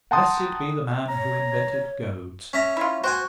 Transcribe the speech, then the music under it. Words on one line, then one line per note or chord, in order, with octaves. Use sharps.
Blessed be the man who invented goads!
F#5 G5 A5 A#5 C6 D#6
C#5 A#5
C#4 E5 A#5
E4 F4
F#4 C5 G5 G#5